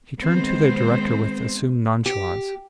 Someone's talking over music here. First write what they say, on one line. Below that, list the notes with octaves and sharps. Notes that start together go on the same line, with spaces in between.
He turned to the director with assumed nonchalance.
D#3 G#3 B3 C4 C5
G4